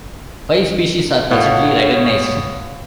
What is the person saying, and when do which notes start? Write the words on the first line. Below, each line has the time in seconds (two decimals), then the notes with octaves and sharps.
Five species are presently recognized.
1.31 A2 F4 F#4 A4 C#5